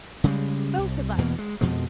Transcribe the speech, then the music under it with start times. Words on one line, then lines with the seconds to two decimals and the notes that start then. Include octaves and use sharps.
"Both of us!"
0.24 C#3 G3 G#3
0.78 C2
1.18 E2 B2 E3 A#3
1.39 G#3
1.61 F2 B2 F3 G#3